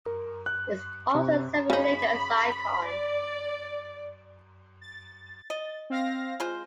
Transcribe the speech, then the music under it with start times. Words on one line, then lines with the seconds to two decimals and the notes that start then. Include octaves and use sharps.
It is also a semi-religious icon.
0.06 A#4
0.46 F#6
1.15 C3
1.70 C#3 D#4 B5
2.87 D5
4.81 A6
5.50 D#5
5.90 C4 F5 A#6
6.40 G#3 F4 C5